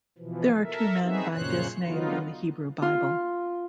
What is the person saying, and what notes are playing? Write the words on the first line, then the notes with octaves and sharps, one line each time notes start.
There are two men by this name in the Hebrew Bible.
B2 E3 F3
A4 A#4 E5
B3 C4 D#4 F#4 G#4 E5
F#2 A#2 C#3 C5 C#5 F#6
D3 F#3 B3 D#4 F4
F4